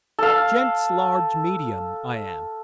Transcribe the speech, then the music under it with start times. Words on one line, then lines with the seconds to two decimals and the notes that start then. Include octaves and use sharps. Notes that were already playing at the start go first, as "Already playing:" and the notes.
"Gents' large medium, I am."
0.19 A4 F5